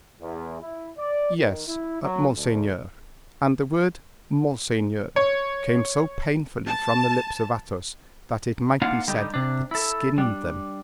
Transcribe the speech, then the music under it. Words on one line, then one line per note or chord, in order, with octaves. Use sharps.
"Yes, monseigneur." And the word "monseigneur" came so painfully from the lips of Athos that it might be said it skinned them.
E2
E4
D5
D#3
E4
F#3
D2
C#5
A5
A#3 D4 D#4 F4 F5 F#5
D3 G3 D#4 G4
C3 D4
E4 A4
G3 D4